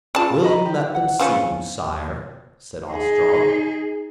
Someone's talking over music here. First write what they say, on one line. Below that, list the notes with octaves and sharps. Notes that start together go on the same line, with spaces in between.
"Will you let them see you, Sire?" said Ostrog.
C#3 F4 D5 A5
D#5 A#5 B5
G4
F#5
C#3 F3 C#4 F5
D#4 G#4